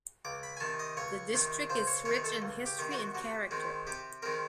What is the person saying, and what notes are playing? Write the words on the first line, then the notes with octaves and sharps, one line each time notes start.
The district is rich in history and character.
C#2 D6
B5
G#5
C3 D#3 A5
D#5
C#2 C#5
C3 D#3
C#2 C5
C#5
C3 D#3 C#5
A4
C#2
G4
C3 D#3
F#4
C3 F#4
D#3 G#3 C4
C3 G4
D#3 G#3 C4 A#4